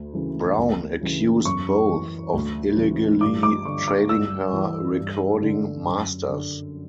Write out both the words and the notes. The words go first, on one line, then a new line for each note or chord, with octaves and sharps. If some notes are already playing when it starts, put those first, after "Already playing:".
Brown accused both of illegally trading her recording masters.
Already playing: D2
C#3 E3
D2
C#3 E3
F#2 C#6
E3
D2
C#3 E3
G2 D6
D6
D3 C#6
D6
G2 E6
E3
G2
D3
F#2
D3